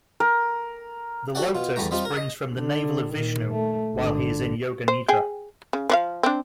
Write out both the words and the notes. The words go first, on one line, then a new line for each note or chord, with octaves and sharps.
The lotus springs from the navel of Vishnu while he is in Yoga Nidra.
A#4
F#4 G4 A4 D5 F#5
B2 F4
E2 D3 G3 A3 A#5
G3 C4 D#4 F4 G4
A#4
D#5
D3
A#2 D#3
A3
G#1 D3
C5
G#4 G5
C#3
F3 F#4 F5
C4 D4